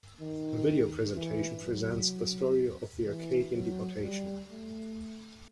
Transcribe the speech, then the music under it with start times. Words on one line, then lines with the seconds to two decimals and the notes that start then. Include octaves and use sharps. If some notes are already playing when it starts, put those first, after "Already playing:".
A video presentation presents the story of the Acadian deportation.
0.20 D#3
1.15 E3
1.63 F#3
3.06 E3
3.54 F#3
4.02 G3
4.50 A3